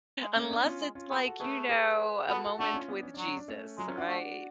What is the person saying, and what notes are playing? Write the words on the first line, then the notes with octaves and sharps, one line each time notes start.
Unless it's like, you know, a moment with Jesus, right?
G#3
A3 C#4
B3 D4
C#4 F4
G#3
C#4 F4
B3 F4 G#4
F#4 A4
A3 G#4 B4
G#4 B4
B3 F#4 A4
F#4 A4
A3 D4 F#4
C#4 F4
B3 D4
C#4
F#3 D4
C#4
D4
A3 C#4
F#3 G#3
C#4 F4
D4 F#4
A3